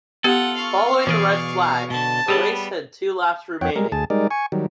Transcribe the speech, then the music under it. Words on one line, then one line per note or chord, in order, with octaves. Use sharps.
Following the red flag the race had two laps remaining.
B3 F4 G4 A4 F#5
F5 C#6
B2 E3 G#4 D5
B2 D3 A5
G3 B3 G4 G#4 C#5
F2 C#5 F#5 G5
G3 G#3 A#4
D2 G#4 A5
G3 G#3 D#4 A#4 D5
G#5 C#6
D#3 F#3 G3